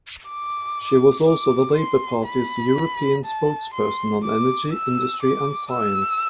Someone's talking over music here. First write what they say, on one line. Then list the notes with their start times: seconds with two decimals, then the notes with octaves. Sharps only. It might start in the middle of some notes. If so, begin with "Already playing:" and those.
She was also the Labour Party's European spokesperson on Energy, Industry and Science.
0.29 D6
1.27 D6
1.77 C6
2.27 B5
3.25 A5
3.74 C6
4.24 D6
4.74 E6
5.22 D6
5.72 E6